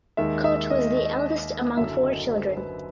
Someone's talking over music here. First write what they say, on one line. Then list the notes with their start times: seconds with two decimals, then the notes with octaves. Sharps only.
Kote was the eldest among four children.
0.17 D#2 D#3 G#3 E5
0.44 E5
0.70 D#5
0.97 D#5
1.77 F#1 F#2 D3 F#3 E5
2.03 D#5
2.30 C5
2.57 B4